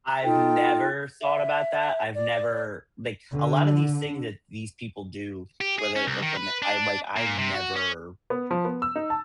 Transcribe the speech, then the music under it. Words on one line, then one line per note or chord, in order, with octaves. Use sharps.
I've never thought about that. I've never, like, a lot of these things that these people do, whether, like when I'm, like, I've never
D#4 F4 A4 G5
E5
D5
D3
G4
G#4
C#4
C2
D#3
B4
D4
A#2
C3
F#4
C#4
B3
F3
B3
E6
D#4
A5